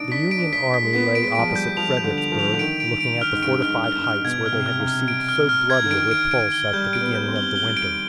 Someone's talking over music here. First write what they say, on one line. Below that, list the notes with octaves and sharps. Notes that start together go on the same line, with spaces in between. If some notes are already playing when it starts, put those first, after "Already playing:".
The Union army lay opposite Fredericksburg, looking at the fortified heights where they had received so bloody a repulse at the beginning of the winter.
Already playing: D4 D#4 D7
D4 B6
D7
D4
B6
B6
G#3
B3 B6
D7
G#3
F3 D7
G3
G6
F3 F7
G6
D3
F7
F3
F7
D3
D#3 D7
D7
D7
F6
G#2
G2 D7
G#2 F6
G2
F6
G2
F6
B2 G#6
F6
C3
F6
C3
F6
D7
F6
F6
G#6
D3
D#3 D7
D7
D7
G7
G3 G6
D7
B3
G6
C4
G7
G7
D7